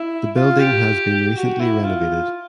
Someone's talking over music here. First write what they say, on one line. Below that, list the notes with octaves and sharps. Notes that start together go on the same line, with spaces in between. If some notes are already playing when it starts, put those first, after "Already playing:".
The building has been recently renovated.
Already playing: E4
F4
G4
F#4
E4
F4